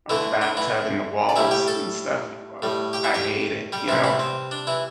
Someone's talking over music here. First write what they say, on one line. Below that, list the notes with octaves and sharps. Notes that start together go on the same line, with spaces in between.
off the bathtub and the walls and stuff, uh, I hate it, you know.
D3 E3 A3 E4
D4
E3 E4
D5
A2 G3 E4 E5
G4 G5
A4 A5
A2 G3
G4 G5
E4 E5
G4 G5
G3 G4
C3 E3 G3 E4
E3 E4
C4
D4
E3 E4